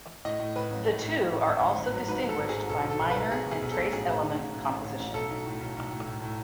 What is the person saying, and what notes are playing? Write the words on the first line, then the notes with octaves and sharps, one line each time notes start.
The two are also distinguished by minor and trace element composition.
A2 D#5
A2
A2 B4
A1
A2
A2
A2
A1
G#1
G#1
G#1
F#3
G#2 B4
G#1
A4
G#1
G#4
G#2
B1 A4
B1
A4
B1
B4
B1
B1 G#4
B2 G#4
B1
A4
B1
A1 G#4
A1
D#3
A1
A1
A1
A1
A1
B1 A4
B1
A2
B1
B1
A2
A2
A2